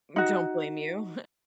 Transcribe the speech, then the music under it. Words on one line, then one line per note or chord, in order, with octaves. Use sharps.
Don't blame you.
D#4 F#4